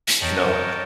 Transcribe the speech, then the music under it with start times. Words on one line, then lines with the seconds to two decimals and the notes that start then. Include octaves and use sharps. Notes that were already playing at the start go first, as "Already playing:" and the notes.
you know?
0.21 A#4 C#5 D#5 G5 A5